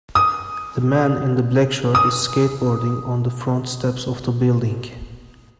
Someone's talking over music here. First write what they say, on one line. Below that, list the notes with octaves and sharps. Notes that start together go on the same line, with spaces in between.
The man in the black shirt is skateboarding on the front steps of the building.
D#6
D#6